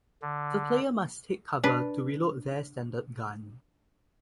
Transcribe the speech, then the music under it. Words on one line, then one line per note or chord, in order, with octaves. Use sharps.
The player must take cover to reload their standard gun.
D3
D4 B4